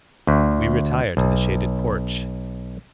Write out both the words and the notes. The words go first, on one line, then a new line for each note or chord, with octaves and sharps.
We retire to the shaded porch.
D2
B1